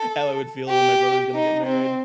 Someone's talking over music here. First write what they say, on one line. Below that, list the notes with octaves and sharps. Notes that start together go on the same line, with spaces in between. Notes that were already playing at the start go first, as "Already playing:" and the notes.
how I would feel when my brother is gonna get married.
Already playing: A4
G4
D#4
C4